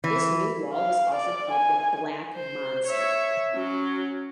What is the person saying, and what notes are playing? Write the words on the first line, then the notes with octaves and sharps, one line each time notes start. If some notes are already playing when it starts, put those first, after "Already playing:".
This new wall was often called The Black Monster.
E3
F5
D5
G#5
C5
C#5 E5
F#3 C#4